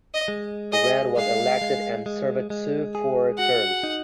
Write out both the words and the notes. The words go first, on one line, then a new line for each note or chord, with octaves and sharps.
Grant was elected and served two four-year terms.
D#5
G#3
G#4 D#5
G#3 F5
G#3
G#3
G#3
G#4
F#4 F#5
D#4